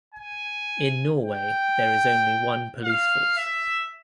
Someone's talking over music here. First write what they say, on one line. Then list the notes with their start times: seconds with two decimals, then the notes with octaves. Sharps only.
In Norway there is only one police force.
0.14 G#5
1.22 G5
2.84 F5
3.37 E5